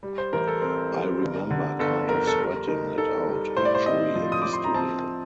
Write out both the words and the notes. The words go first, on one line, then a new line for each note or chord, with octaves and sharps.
I remember kind of sweating it out actually in the studio.
G3
C5
A1 A#4
A4
C4 A#4
G3
G1
D3
G1 A4
F2 A#4
A4
G3 A#4
D#4 A#4
D#4 A4
G3
A2 C5
D5
C5
C4 D#5
F3
D#6
F3 D6
C6
A#5
C4 A5